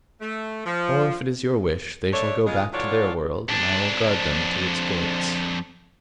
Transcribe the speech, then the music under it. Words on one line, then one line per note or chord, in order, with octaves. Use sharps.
Or if it is your wish they shall go back to their world and I will guard them to its gates.
A3
F3
A3 D4 C#5
C#3 G#3 F4
E3 F#3 D4 F4 A4 C#5
F2 D4